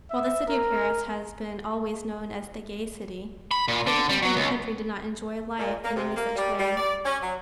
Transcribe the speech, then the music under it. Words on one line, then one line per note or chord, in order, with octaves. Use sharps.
While the city of Paris has been always known as the Gay City, yet the people in the country did not enjoy life in any such way.
E5
A#4
B5
A#2
D3
G3
F#3
C#2
A#2
A#3
C3
A#3
G3
G3
D5
C#4
F#3